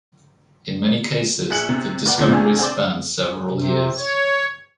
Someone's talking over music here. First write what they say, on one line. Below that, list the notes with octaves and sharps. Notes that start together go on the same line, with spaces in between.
In many cases, the discoveries spanned several years.
A#1 G#4 F#6 C#7 F#7
C3
A#3 B4 D5 F#5
D2 A#2 C#3 F3
C3 A3 D4 F4 G#4
C4 C5 D5
C3
C#5